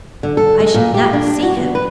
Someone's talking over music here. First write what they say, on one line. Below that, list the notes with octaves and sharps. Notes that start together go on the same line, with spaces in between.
"I should not see him."
D3
A4
G#3
A#2
G4
D4
F#4
B3
B4